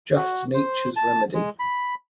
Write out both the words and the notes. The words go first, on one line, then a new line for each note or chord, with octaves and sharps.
Just Nature's remedy.
F#4
C5
A5
G#3
B5